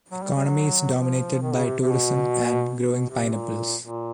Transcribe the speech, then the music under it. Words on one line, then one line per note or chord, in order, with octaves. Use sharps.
Economy is dominated by tourism and growing pineapples.
F#3
G3
G3
F#3
F3
D#3
C#3
C3
C3
B2
B2
C3
A#2
A#2